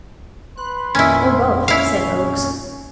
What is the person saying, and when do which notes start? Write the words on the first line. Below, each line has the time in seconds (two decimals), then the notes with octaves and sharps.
"Or both," said Oakes.
0.57 B4 B5 C6 F#6
0.95 F2 A#2 D#3 C#4 E4
1.68 C#4 E4 F5